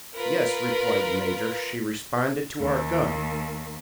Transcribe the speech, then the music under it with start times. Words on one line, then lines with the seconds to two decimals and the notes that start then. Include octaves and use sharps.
"Yes," replied the major; "she responded to our gun."
0.14 F4 A#4 B4
2.60 D#2